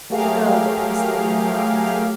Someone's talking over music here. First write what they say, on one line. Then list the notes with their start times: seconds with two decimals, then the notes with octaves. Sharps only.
The girl looked wistfully at Margaret.
0.10 F#3 A3 G4 G#4 A#4 F5